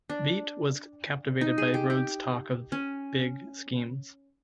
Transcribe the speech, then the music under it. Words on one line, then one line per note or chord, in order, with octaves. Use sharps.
Beit was captivated by Rhodes' talk of 'big schemes'.
D4
D#4
G#4
G4
G4
C#4